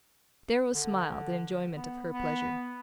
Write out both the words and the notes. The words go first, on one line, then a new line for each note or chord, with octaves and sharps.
Darrow smiled in enjoyment of her pleasure.
D3
B3
B3